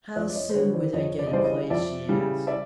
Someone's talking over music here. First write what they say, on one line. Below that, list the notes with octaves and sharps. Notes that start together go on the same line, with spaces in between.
"How soon would I get a place?" she asked.
F2 D5 E5
D5
C#5 D#5
C5
D3 G3 B4 C#5
C5 D5
F2 C#5 D#5
D5
D#5
C#3 E3 G3 C5 D5
C#5 D#5
F2 D5 E5
C#3 E3 G3
D5 E5